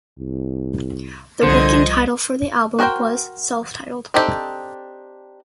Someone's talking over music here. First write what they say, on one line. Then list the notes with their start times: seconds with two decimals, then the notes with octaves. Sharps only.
The working title for the album was self-titled.
0.19 C2
1.43 C2 D3 F3 C5 D#5 G#6
2.79 F#4 G#4 A#4 C5 G5
4.14 C4 D4 D#4 G4 A4